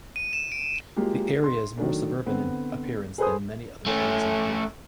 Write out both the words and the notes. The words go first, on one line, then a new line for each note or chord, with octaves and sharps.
The area is more suburban in appearance than many other areas in Duluth.
D#7
E7
D7
F#3 G#3 A#3 F4 G4
C6
D#3 F#3 A3 D4
D3 B3 C4
G#4 A4 B4 C5 G#5 D#6
A3 C#4